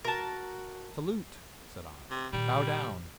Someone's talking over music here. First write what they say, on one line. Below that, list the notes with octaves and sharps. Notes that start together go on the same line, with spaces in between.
"Salute!" said I. "Bow down!"
F#4 A#4 A5
C3
A#2 D#3 G3